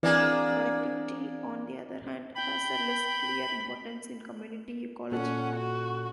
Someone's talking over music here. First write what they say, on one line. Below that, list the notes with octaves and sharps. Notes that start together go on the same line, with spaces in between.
Productivity, on the other hand, has a less clear importance in community ecology.
E3 A#3 C4 D4 G#4 D5 G#5
G5 B5
A#2 C#4 A4 F#5 F#6
F#4